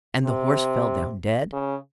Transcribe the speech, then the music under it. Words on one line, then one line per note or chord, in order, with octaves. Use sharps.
And the horse fell down dead.
C3
C#3